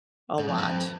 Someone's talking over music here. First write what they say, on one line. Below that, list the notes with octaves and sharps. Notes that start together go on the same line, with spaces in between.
a lot.
G#2
F2
G2
F2